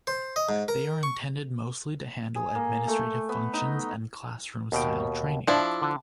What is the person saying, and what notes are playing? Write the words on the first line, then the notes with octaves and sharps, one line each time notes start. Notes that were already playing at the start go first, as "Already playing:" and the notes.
They are intended mostly to handle administrative functions and classroom style training.
C5
D#5
G#2
A#4
C#6
G#4
A#3
A3
B3
D#4
D#2 B2 G5
F3 D4 E4
D3